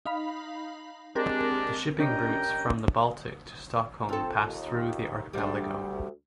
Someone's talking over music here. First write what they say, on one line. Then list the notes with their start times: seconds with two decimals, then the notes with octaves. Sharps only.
The shipping routes from the Baltic to Stockholm pass through the archipelago.
0.05 D#4 F5 B5
1.15 G#3 C4 D4 G4 A#4
1.99 G3 C#4 D4 A#4 D#5 G5
4.09 C4 F4 A4
4.45 D#2
5.33 D2 G3 D4